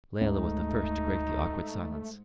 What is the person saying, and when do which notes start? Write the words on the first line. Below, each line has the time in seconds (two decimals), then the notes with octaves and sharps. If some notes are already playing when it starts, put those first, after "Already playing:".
Layelah was the first to break the awkward silence.
0.21 D2 G#2 A3 D#4